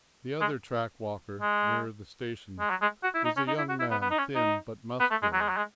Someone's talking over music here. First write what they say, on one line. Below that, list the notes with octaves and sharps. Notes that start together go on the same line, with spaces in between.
The other track-walker, nearer the station, was a young man, thin, but muscular.
G#3
G#3
G#3
F#3
G#3
F#4
E4
D#4
C#4
D#4
E4
F#4
E4
B3
B3
D#4
C#4
D#4
B3
A3
G#3
F#3
G#3
F#3
G#3